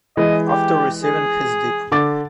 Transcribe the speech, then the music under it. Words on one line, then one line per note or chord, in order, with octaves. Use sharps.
After receiving his Dip.
E3 G#3 D#5
G4
G#4
D3 D6 A6